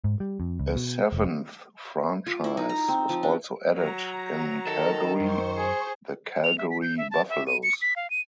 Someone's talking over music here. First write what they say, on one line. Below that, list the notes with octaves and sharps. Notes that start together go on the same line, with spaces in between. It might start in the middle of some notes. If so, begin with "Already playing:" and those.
A seventh franchise was also added in Calgary, the Calgary Buffaloes.
G#2
G3
F2
C#2
B2
F1
F4
E4
D#4
A#5
C4
F3
D4
F#3 A#5
D#3 A4
F#2 C5 C#6
G#4
F7
E5
B6
G6
E5
A5
E5
D#7
C#7
B6
F5
D#7